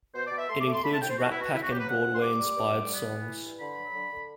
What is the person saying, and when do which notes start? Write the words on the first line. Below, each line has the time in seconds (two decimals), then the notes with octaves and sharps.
It includes Rat Pack- and Broadway-inspired songs.
0.15 B2 C5
0.26 B2 D5
0.38 E5
0.49 A3 C6
0.60 D6
0.67 A3
0.73 C6
0.84 A3 B5
0.92 A5
1.01 C2 G5
1.10 C5
1.18 C2 F#4
1.30 E4
1.36 B2 F#4
1.53 D2 E4
1.62 F#4
1.70 F#3 G4
1.79 B4
1.88 D2 F#5
2.05 D2
2.14 C6
2.22 G3 D6
2.40 G3
2.56 G2
2.74 G3
2.91 B3
3.09 E3
3.26 E4
3.43 G2
3.60 D3 B5
3.78 F#3
3.95 D3
4.12 D3